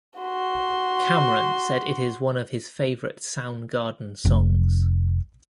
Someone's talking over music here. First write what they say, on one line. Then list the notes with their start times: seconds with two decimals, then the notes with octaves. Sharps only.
Cameron said it is one of his favorite Soundgarden songs.
0.19 F#4 C6
4.25 F1